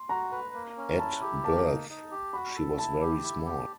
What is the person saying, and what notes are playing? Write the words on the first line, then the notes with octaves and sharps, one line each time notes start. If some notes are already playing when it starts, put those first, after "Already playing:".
At birth she was very small.
Already playing: C6
F#4 A#5
B4
A#3
C#4
E4 A5
G4
A#3 A5
D#4
D#4
G4
F#4 B5
A4
E4 A5
G4
E4
G4